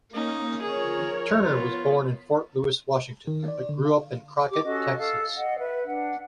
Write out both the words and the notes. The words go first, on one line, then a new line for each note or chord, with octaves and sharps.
Turner was born in Fort Lewis, Washington, but grew up in Crockett, Texas.
A#3 C#4 D#4
F3 G#4 A#4 C#5 G#5
B3 F4
D#3
D5
D3
F5
G4 D6
C#4 F#4 A4 D#5
A4 F5
D#5 F#5
B4 E5
D4 F#5